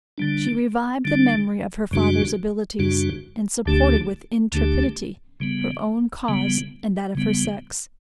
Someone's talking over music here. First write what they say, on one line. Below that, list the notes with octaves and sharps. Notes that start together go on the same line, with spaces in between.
She revived the memory of her father's abilities, and supported with intrepidity her own cause and that of her sex.
D3 G3 D4
D3 G3 D4
F#2 C#3 G3 D4 F#4
F#2 C#3 G3 D4 F#4
D2 D3 A3 D4 G4
D2 D3 A3 D4 G4
C#3 G3 B3
C#3 G3 B3
C#3 G3 B3